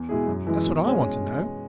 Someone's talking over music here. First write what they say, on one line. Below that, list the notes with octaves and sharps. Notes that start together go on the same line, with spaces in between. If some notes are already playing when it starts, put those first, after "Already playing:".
That's what I want to know.
Already playing: E2
B2 G#3 E4 G#4
F#2
E3 G#3 E4
B2
G#3 C#4